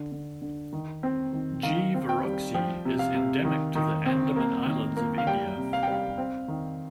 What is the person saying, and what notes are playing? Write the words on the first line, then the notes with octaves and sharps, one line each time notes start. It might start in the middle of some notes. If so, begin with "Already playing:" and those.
"G. verreauxi" is endemic to the Andaman Islands of India.
Already playing: D3
D3
D3
D#3
C4
D#3
D#3 F5
C4
G5
G3
F3 G5
C3
F5
C3
D#3
D#3
C4
A#3
D#3
A#3
F5
G3 G5
C3
F5
G3 G5
F5
C4
D#3